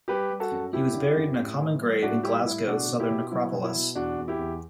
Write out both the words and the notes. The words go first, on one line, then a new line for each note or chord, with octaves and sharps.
He was buried in a common grave in Glasgow's Southern Necropolis.
G3 G4 B4
G3
F#4 A4
F#2
F#2 E4 G4
D3
F#2
A2
E3
G3
A2 D4 F#4
G3 E4 G4
A2 E4
B2 D4 F#4
B2
E4 G4
B2
F#3 E4
B2
E4
B2
E2 D4 F#4
E2
E4 G4
E2